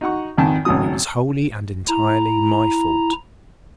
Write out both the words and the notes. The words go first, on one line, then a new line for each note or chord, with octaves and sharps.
It was wholly and entirely my fault.'
D#4 F#4 F#5 C#6
G#1 F2 D#3 G#5 A5
G#1 C#2 A2 F#3 D#6
E4 A#5